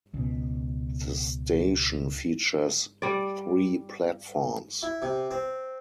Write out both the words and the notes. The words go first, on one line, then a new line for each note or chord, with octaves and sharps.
The station features three platforms.
C#2 B2
G3 D5
E4
C3
C4